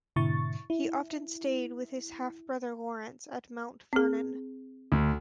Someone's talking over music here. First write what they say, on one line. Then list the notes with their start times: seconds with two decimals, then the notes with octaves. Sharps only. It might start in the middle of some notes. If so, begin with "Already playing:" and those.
He often stayed with his half-brother Lawrence at Mount Vernon.
0.16 G#2 B2 D3 E4 C#6 A6
0.70 E4
3.93 C4 G#4
4.92 D2